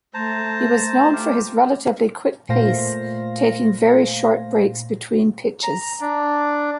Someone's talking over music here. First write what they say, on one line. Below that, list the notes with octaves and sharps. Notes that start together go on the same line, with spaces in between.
He was known for his relatively quick pace, taking very short breaks between pitches.
A3 C5 A5 A#5
F4 G4
A#2 A3 C5 F5 A#6
A#5
D4